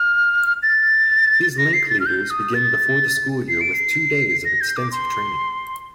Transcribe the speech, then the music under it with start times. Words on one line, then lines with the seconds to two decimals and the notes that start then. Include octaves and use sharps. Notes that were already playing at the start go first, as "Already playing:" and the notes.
These Link Leaders begin before the school year with two days of extensive training.
Already playing: F6
0.63 A6
1.58 A#6
1.73 C7
1.90 A6
2.00 F6
2.06 G6
2.30 D#6
2.54 A6
3.49 C7
3.61 D7
3.74 C7
4.45 A#6
4.61 G6
4.76 D6
4.92 C6